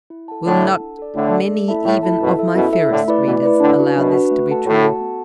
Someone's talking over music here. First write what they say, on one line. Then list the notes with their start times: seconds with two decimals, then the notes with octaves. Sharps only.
Will not many even of my fairest readers allow this to be true?
0.10 E4
0.28 A4 F#5 A5
0.45 A2 D3 E4
0.63 A4 F#5 A5
0.80 D4
0.99 A4 D5
1.15 A2 D3 D4
1.33 A4 D5
1.51 A3
1.68 E4 A4 E5 A5
1.85 A2 A3
2.03 E4 A4 E5 A5
2.20 F#2 B2 E4
2.39 A4 E5
2.55 F#2 B2 E4
2.73 A4 E5
2.90 A2 D3 A3
3.08 E4 B4 D5
3.25 B2 E3 A3
3.43 E4 B4 D5
3.60 A2 D3 D4
3.78 F#4 B4
3.95 F#2 B2 D4
4.13 F#4 B4
4.31 A3
4.48 F#4 A4 F#5 A5
4.65 A2 A3
4.83 F#4 A4 F#5 A5
5.00 B3